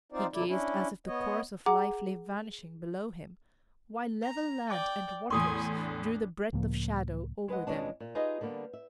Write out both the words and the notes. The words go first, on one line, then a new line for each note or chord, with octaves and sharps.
He gazed as if the course of life lay vanishing below him, while level land and waters drew the breadth of shadow over them.
C4 D#4 F4 C5 D5
E2 B2 D3 F#3 E4 D5
C#4 D4 E4
B3 C#5 D#5
G#4 F#5 A#5 D6
A#5
D5 G5 A5 D6
E2 A2 G#5 C6 C#6 D#6
D4
C#2 A2 F3 A#3
G#3 B4 D#5 F#5
F2 B2 D#3 G#3 C#4 D4
A#2
D#4 F4 G4 G#4 B4 D#5
D3 G3 A#3 B3
E5